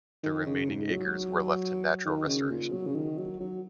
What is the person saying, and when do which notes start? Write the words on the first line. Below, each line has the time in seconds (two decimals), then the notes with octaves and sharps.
The remaining acres were left to natural restoration.
0.24 D#3
0.47 C#3
0.69 G#2
0.92 F#3
2.05 D#3
2.27 C#3
2.50 A#2
2.72 F#3
2.87 C#3
2.95 D#3
3.18 F#3
3.40 F#3